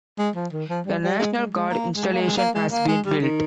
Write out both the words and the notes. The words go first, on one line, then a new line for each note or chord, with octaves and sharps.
A National Guard installation has been built.
G#3
F3
D#3
F3
G3
G3
G#3
G#3
G#3
A#3
G#3
A#3
G#3
A#3
G#3
A#3
G#3
G3
D#3